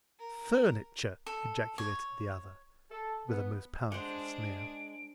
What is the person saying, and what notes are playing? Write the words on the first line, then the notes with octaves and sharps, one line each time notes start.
"Furniture!" ejaculated the other, with a most powerful sneer.
A#4
A4
C#5
A4
B3
G#3 D4 G#4 C5 F#5 D7